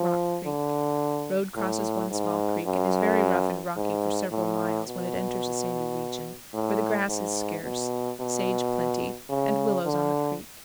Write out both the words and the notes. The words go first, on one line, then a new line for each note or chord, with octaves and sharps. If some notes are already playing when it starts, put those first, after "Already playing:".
Rock Creek.--Road crosses one small creek, and is very rough and rocky for several miles, when it enters a sandy region, where the grass is scarce; sage plenty, and willows on the creek.
Already playing: F3
D3
A2
G#2
F#2
G#2
A2
B2
A2
G#2
B2
B2
C#3
D3